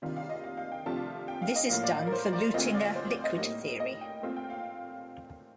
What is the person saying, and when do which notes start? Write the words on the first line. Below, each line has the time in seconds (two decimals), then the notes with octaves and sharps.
This is done for Luttinger liquid theory.
0.02 C3 D#3 G3 D4 F4
0.16 F5
0.30 D#5
0.44 F5
0.57 F5
0.72 G5
0.86 C3 F3 A3 D4 F4 A5
1.28 G5
1.42 F5
1.56 D#5
1.70 A2 F3 A#3 F4 F5
1.84 D5
2.07 A#4
2.13 C5
2.33 D5
2.54 D2 D3 A3 C4 F4 D#5
2.74 D5
2.95 C5
3.10 D5
3.24 D#5
3.38 A2 G3 A#3 D#4
3.80 D#5
4.01 G5
4.21 A#2 A3 C4 F4
4.36 G5
4.50 F5